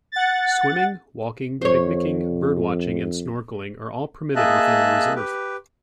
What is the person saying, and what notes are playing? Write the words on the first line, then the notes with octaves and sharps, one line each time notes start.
Swimming, walking, picnicing, bird watching and snorkelling are all permitted within the reserve.
F#5 A6
F2 C5 C#5
A#3 G#4 D#5 E5 A5 F#6
G4 B4